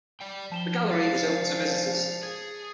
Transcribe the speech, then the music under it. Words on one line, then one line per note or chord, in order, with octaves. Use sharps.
The gallery is open to visitors.
D5 G5
F3 A5 E7 G7
C#2 A#2 F3 F5 A6 B6 C#7
G#4 G#6